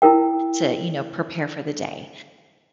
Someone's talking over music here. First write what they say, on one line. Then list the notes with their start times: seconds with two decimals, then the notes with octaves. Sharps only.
to, you know, prepare for the day,
0.02 E4 F4 A#4 G5